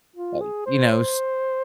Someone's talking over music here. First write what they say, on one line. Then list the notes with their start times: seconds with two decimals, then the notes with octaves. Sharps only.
uh, you know s
0.16 F4
0.41 G#4
0.66 C5
0.91 C5